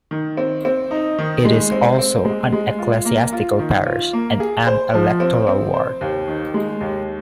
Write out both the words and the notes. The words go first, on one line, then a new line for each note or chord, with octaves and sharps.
It is also an Ecclesiastical parish and an electoral ward.
D#3
C4
C4
D#4
D#3
G#3
C4
C4
G#3
G#3
F4
A#3
F4
D#3
F4
A#3
G#4
C5
F3
C4
C4
C5
D#2
D#3
G#3
D#2